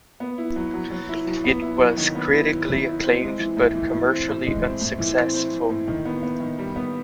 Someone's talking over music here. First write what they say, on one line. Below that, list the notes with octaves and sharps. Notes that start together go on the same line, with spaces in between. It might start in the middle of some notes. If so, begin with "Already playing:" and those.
It was critically acclaimed but commercially unsuccessful.
B3
E4
F#3
F#3
F#3
E4
F#3
B3
E4
F#3
D#3
B3
E4
E4
E4
E4
C4
G#3
E3
A2
E3
A2
C4
A2
G#3
C4
A2
E3
C4
C4
E3
A2
D#3
B3
B3
D#3
G3
B3